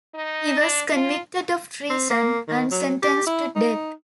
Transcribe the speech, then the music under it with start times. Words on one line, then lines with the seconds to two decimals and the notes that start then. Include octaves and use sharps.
He was convicted of treason and sentenced to death.
0.14 D#4
0.60 D4
0.93 F4
1.90 C4
2.10 A#3
2.48 D#3
2.71 F#3
3.03 G4
3.27 E4
3.56 D#4